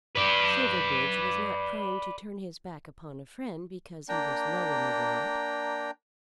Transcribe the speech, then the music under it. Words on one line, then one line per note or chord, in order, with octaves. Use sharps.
Silverbridge was not prone to turn his back upon a friend because he was low in the world.
B4 D5
A#3 D4 G5 A#5